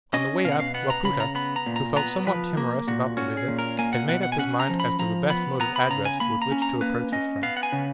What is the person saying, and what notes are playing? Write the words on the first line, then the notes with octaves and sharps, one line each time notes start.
On the way up, Wapoota, who felt somewhat timorous about the visit, had made up his mind as to the best mode of address with which to approach his friend.
C#4 D#5
B2 F5
F#5
F5
B3 F#5
A#5
C#3 B5
A#5
B3 B5
A#5
A#2
A#5
B3 A#5
F3 B4
A#3
A#2 F#4
C#4 F#4
G#4
A#2
A#4
A#3 G#5
F#5
B2 F#5
F#5
G#5
C#4 F#5
A#5
F3
B5
F3 A#5
B3 B5
B3 A#5
B5
C#3 A#5
G#5
A#3 B5
A#5
C#4
A#5
A#3 B4
C#4 D#5
B3 F5
F#5
G#5
C#3